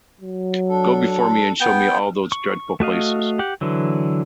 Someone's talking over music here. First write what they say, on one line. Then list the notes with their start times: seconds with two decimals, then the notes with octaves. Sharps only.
Go before me and show me all those dreadful places.
0.21 F#3
0.69 D4 A4
1.61 B3 G5
2.32 C#6
2.80 A3 F#4 D#5 F5
3.39 G4 F#5
3.61 D3 E3 F#3